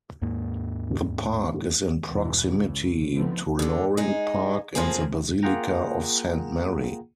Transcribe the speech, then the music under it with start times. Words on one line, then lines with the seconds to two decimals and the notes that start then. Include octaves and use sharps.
The park is in proximity to Loring Park and the Basilica of Saint Mary.
0.21 D#2 G#2 A#3
2.08 G1 E2 G#2 B2 E3
2.49 C#2 C#3
3.14 D3 D#3 F3 A3 B3 C4
3.59 D#2 D3
3.97 G#3 D#4
4.75 A2 F3 A#3 C4 G#4
5.43 A#3 F4 G#4 F#5 G5 A#5